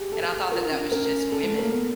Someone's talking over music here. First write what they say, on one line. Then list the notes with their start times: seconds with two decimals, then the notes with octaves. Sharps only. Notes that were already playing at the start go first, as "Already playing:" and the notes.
and I thought that that was just women,
Already playing: G4 G#4
0.12 A4
0.52 F4 A#4
0.66 D#4
0.71 C#4
0.79 D4
0.91 C#4 A#4
1.32 A4
1.43 G#3 A4
1.53 A3
1.58 A#3 A#4
1.71 B3